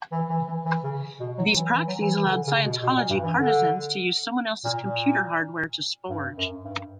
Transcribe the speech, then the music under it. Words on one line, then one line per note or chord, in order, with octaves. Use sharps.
These proxies allowed Scientology partisans to use someone else's computer hardware to sporge.
E3
E3
E3
E3
C#3
B2
F#3
E3
E3
F#3
E3
E3
C#3
D3
C#3
B2
B2
A#2
G2
E3
D3
A#2
A#2
G2
F#2
G2